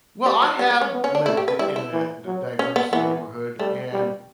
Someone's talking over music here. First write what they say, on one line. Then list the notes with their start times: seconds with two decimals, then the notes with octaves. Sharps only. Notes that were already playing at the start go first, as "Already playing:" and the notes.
Well, I have lived in a di diverse neighborhood and
0.26 G3
0.42 F#3
0.59 G3 B3
0.71 B3
0.81 C#4
0.93 B3
1.04 C#4
1.15 D4
1.26 A3 E4
1.37 G4
1.48 B4
1.59 G3 E4
1.76 E4
1.93 E3
2.26 F#3
2.59 C#4
2.76 B3
2.93 E3 B3
3.59 G3 A3
3.93 G3